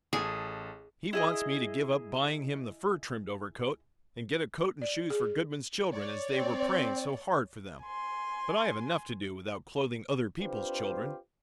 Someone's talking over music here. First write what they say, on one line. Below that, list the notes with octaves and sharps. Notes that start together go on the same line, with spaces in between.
He wants me to give up buying him the fur-trimmed overcoat and get a coat and shoes for Goodman's children, as they were praying so hard for them, but I have enough to do without clothing other people's children.
A1 G#4 A4
E4 G#4 D#5
D5
G#4
C#5 D5
C4
G#5 C6
C4 D4 F4 G4 B4 C5